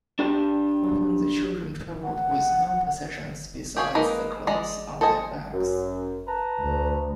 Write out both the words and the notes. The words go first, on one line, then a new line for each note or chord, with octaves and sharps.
Often the children traveled with no possessions besides the clothes on their backs.
D4 G4 G5
F#5
G4 G#4 C#5 F5
G#3 A#3 D#4 A#4 B4
G#3 D5 D#5 A#5
A4 C5 D#5 G#5
F#2
B4 A5 A#5
D2